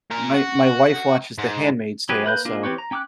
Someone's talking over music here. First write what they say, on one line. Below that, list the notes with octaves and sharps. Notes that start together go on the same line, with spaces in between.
My my wife watches The Handmaid's Tale, so
A#2 A#4
F#4
G#2
F#3 C#4 G4 G#4 B4
A#3 B4 F#6 G6
A#3 D4 F4
E3 C4 G4 B4 C#5
A#5
C#4 G5 D6 E6 F#6